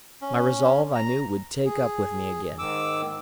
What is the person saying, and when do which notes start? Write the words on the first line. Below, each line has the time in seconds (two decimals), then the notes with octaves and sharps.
My resolve I knew would take up with me again.
0.21 C#4
0.95 A#5
1.65 G#4
2.59 G#2 D#3 D6 E6